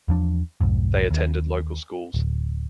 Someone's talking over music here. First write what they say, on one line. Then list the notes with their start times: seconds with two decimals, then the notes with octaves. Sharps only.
They attended local schools.
0.08 E2 F3 D4
0.61 B1 F2 G#2
1.11 D#2
2.14 D1